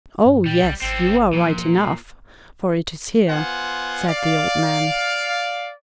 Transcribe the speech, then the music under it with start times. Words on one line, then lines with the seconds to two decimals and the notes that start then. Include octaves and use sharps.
"Oh! yes, you are right enough, for it is here," said the old man.
0.25 G2
0.46 A#2 G3
0.63 B1
0.82 G#1 C4 A4
1.33 A#2 F3
3.28 B3 F4 C5 F#5 G#5
4.08 D5 F5